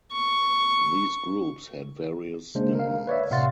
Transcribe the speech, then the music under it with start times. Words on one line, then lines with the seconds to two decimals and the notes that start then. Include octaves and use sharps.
These groups had various demands.
0.12 C#6
2.55 C#3 G#3 A#3 D4 C5
2.75 A#4 F5
3.07 B4 C#5 D5 E5
3.31 A2 C3 F5 F#5 C6 A6